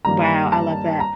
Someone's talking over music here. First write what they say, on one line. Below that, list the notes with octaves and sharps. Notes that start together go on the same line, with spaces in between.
wow, I love that.
G2 D#3 G3 A#3 A#5
A5
A#5